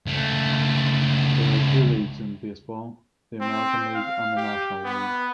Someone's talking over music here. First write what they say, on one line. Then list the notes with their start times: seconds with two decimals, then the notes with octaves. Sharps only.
There are two leagues in baseball, the American league, and the National League.
0.06 C#2 A3
3.41 C4
3.95 F5
4.36 G4
4.84 B3